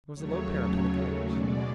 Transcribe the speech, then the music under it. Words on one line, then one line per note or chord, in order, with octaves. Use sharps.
There was a low parapet at the edge.
D#2 C#3 F#3 A3 C#5
B2 G#3 D5